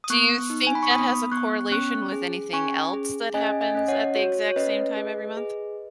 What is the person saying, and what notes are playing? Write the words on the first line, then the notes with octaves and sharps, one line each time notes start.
Do you think that has a correlation with anything else that happens at the exact same time every month?
D#6
B3 C#6 F#6
D#4
G#5
B5
C#6
B3 B5 D#6
B3 C#6 F#6
C#4 C#6 F#6
G#4
C#4 G#5 C#6
G#4
C#4 D#5 G#5
D#5 G#5
C#4 D#5
C#5 F#5
F#4 C#5
C#5
C#4 B4 D#5
G#4
G#4